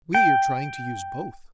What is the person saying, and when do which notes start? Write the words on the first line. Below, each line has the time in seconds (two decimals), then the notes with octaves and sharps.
We are trying to use both.
0.14 G5